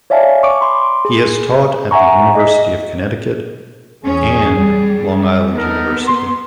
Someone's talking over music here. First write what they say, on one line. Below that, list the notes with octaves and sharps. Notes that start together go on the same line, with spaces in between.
He has taught at the University of Connecticut and Long Island University.
C#5 D5 E5 F5 G#5 A5
C#6 D6 D7
B5 C6
G#4
E5 F#5 G#5 A#5 C#6
D#5 B6
E2 C#4 G#4
G3
B3 D#4 A4 A#4
C6